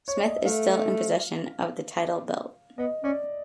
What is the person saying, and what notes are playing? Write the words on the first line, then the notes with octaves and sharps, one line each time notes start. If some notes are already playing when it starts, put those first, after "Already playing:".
Smith is still in possession of the title belt.
C#5
D5
D#5
E5
A3 F5
B3 D#5
C#4 D5